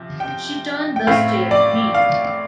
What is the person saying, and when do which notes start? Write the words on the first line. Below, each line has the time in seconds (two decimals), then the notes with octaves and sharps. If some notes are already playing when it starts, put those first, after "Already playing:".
She turned the steering wheel.
Already playing: C3 F3
0.20 G5
0.96 G5
1.07 A2 A3 C4 F5
1.51 D5
1.95 F5